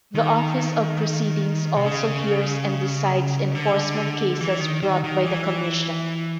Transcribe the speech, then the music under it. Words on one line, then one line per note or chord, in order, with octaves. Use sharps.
The Office of Proceedings also hears and decides enforcement cases brought by the Commission.
D#3
C3
C#3
D3
E3
D#3
D#3
D#3
E3